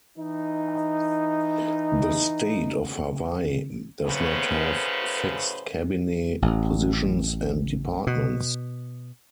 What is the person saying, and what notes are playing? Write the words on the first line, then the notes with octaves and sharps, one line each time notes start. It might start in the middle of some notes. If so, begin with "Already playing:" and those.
The state of Hawaii does not have fixed cabinet positions and departments.
E3 D#4
F#2 A2 C#3 C#4 B4 C5
A1
B2